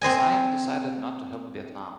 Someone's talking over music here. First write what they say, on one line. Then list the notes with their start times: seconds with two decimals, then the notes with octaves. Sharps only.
Siam decided not to help Vietnam.
0.01 C4 C5 D#5 G#5